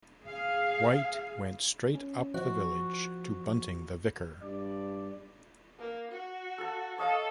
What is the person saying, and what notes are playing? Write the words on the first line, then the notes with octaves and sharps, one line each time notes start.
White went straight up the village to Bunting the vicar.
G#4 F5
C#4
F3 F#4
G2 D5
A#3
F#4
A4 A5
A4 C#5 D#5 F5